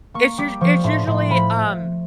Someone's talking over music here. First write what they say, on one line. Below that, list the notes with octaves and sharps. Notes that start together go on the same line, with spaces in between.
it's usu it's usually, um,
A#3 C#6
G3 D6
F3 C#6
A2 C6
A2 C6
F3 B5